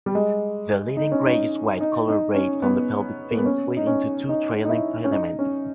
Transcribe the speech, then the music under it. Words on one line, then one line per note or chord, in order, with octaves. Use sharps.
The leading greyish-white coloured rays on the pelvic fins split into two trailing filaments.
G3
G#3
D#4
C#4
D#4
D#4
D#4
C#4
B3
A#3
B3
C#4
D#4
C#4
D#4
D#4
E4
C#4
D#4
C#4